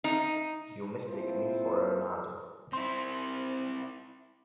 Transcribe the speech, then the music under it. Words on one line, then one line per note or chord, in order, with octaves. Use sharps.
You mistake me for another.
D#4
A#3 C4 E4 F4 A4 C5
C4 E4 C6